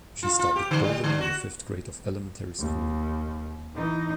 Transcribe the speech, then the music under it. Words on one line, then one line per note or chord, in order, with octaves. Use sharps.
She started bouldering in the fifth grade of elementary school.
F4
F4
G4
D3
G3
D3
F#4
D#2
E3 D#4